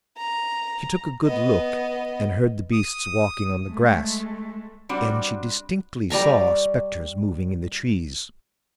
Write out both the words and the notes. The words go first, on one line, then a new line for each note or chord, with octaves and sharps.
She took a good look, and heard the beasts walking on the grass, and she distinctly saw spectres moving in the trees.
A#5
B3 D#5
D#6
G#3 A3
G3 C4 D4 F#4
G3 D5 A#5 C#6